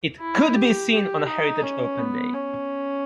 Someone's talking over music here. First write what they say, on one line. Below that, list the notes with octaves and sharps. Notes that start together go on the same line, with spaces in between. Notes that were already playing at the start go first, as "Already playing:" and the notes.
It could be seen on a Heritage Open Day.
E4
G4
G4
D#4
C#4
B3
C#4